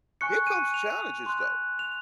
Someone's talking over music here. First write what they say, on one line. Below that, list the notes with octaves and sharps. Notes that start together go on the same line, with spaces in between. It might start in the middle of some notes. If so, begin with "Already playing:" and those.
here comes challenges, though.
G#5 C#6 F#6 C#7
D#7
F7
C6 F#6
F7